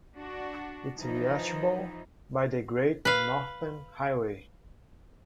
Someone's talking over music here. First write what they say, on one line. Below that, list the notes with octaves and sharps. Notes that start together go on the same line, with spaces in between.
It is reachable by the Great Northern Highway.
D4 F#4
E3 F3 D#4
B4 F5